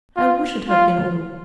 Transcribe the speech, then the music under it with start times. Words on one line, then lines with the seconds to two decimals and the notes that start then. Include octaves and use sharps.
I wish it had been all.
0.16 F4
0.69 F4